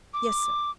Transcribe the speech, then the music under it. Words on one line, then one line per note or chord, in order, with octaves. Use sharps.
"Yes, sir."
D6